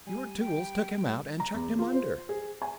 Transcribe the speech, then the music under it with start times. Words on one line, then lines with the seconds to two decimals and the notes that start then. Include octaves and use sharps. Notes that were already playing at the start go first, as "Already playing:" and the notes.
Your tools took him out and chucked him under.
0.06 G3 G#5
0.40 G5
1.40 A#5
1.54 E2
1.79 F4
1.93 C5
2.29 G#4
2.62 G#5